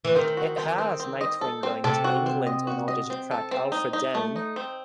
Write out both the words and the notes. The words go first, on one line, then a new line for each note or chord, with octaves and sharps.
It has Nightwing going to England in order to track Alfred down.
E3
D#3 C4
F#4
C4
C4
C4
D#5
A4
C4
C3 A4
F#4
C4
D#5
F#4
D#5
C4
A4
C4
D#4
D#4
A3
D#4
C4